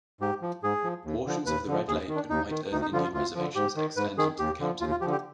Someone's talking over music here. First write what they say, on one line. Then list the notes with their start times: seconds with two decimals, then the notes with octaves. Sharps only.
Portions of the Red Lake and White Earth Indian reservations extend into the county.
0.21 G#2 G4
0.42 F3
0.63 G#2 G#4
0.84 F3
1.05 D#2
1.26 D3 F3
1.46 D#2 B4
1.68 D3 F3
1.88 D#2 G#4
2.09 D#3
2.16 D4
2.30 D#2 D#4
2.51 D#3
2.71 D2 D#4
2.82 D#4
2.92 D3 F3 F4
3.03 F4
3.14 D2 F4
3.35 D3 F3
3.55 G#2 G4
3.76 D#3
3.97 G#2 B4
4.18 D#3 G#4
4.39 D#2 G4
4.60 D3 F3
4.81 D#2 F4
4.91 F4
5.01 D3 F3 G4
5.12 G4